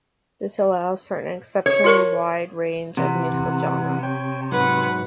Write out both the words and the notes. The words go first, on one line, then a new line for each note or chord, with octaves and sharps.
This allows for an exceptionally wide range of musical genres.
C#5
F4 A#4 C#6
C3 E3 F#5
C#5 G5
G#2 F#3 B4 F#5